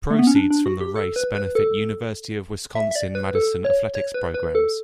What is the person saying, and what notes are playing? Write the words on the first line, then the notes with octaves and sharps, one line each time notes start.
Proceeds from the race benefit University of Wisconsin-Madison athletics programs.
A3
B3
C#4
D4
D4
F#4
G4
A4
B4
B4
A4
E5
E5
D5
B4
A4
C#5
C#5
B4
B4
A4